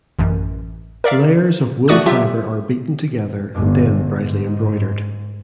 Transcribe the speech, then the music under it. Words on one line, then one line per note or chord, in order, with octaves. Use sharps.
Layers of wool fibre are beaten together and then brightly embroidered.
A1 F#2
A#4 D5 E5 F5
A3 F#4 D5 C#6 D#6 F#6
F#3 F4 G4 E5
G1
G#2